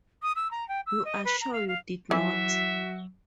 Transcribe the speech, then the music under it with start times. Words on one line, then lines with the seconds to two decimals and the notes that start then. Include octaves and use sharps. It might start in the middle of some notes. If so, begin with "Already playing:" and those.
You are sure you did not?
0.22 D#6
0.36 E6
0.51 A#5
0.68 G5
0.86 E6
1.05 D#5
1.25 B4
1.41 A#5
1.53 F5
1.68 F5
2.11 E3 F#3 F#4 E5